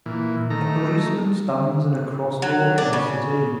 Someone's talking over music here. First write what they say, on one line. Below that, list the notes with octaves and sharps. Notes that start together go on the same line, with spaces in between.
A policeman stands in a crosswalk in a city.
A#2 E3
D#3 A3 A#5
F#3
D4
C#3